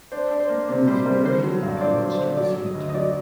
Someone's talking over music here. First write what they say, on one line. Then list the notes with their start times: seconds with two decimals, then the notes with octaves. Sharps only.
He is buried at Broad Street Cemetery.
0.12 D4 C5
0.31 D4
0.40 C5
0.49 A#3
0.69 C3 D5
0.87 G3 C5
1.06 G3 A#4
1.25 D3 C5
1.44 F#3
1.63 G2
1.77 D5
1.81 G2 C5
2.00 F#3
2.10 C5
2.19 D3
2.37 F#3 D5
2.56 F#3
2.66 D#5
2.75 D2
2.90 D#5
2.94 F#3 D5